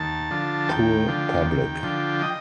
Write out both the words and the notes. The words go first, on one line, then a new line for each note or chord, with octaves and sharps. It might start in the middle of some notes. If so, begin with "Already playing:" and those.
Poor public!
Already playing: D#2 A5
D3 F3
D#2 G5
D3 F3
D#2
D3 F3
D#5